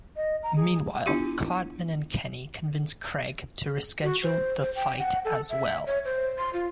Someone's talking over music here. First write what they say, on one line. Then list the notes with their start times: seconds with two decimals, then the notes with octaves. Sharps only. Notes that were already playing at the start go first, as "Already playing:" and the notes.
Meanwhile, Cartman and Kenny convince Craig to reschedule the fight as well.
0.16 D#5
0.43 A#5
0.57 G#4
1.06 B3 D4 E4 F4 G4
4.03 F#4
4.23 C5
4.62 C5
4.76 G5
4.99 F#5
5.25 A4
5.50 E5
5.87 C#5
6.05 C5
6.38 C6
6.53 F4